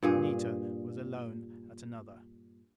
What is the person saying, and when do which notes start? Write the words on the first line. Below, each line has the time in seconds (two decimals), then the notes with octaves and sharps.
Anita was alone at another.
0.03 G2 A#2 G#4